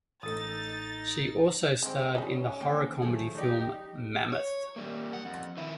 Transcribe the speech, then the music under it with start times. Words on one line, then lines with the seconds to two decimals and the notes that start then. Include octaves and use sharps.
She also starred in the horror comedy film "Mammoth".
0.23 A1 A2 D#4 A4 D#6 A6
1.83 D2 D#3 G#3 C4 D5
2.15 G3 C#4 D#4 G#4
2.61 D#3 E3 A#3 C5 G5
3.02 D#3 F3 F#3 A3 G#4 A4
3.35 C#3 D#4 G4 D5
4.32 C#5
4.76 G3 A#3
5.11 F#2 F#5
5.25 F2
5.57 D#3 E4